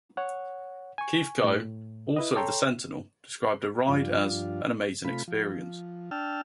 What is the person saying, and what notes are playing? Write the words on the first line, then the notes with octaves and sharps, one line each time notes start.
Keith Kohn, also of the "Sentinel", described the ride as "an amazing experience".
C#5 F#5
G#5 C#6
A2
E4 B4 D#5
A4 C#5 G5 A5 A#5 C6
G2 F3 D4 F4
C3 A3 F4 B5
F3
D4 G5 A5 E6 F6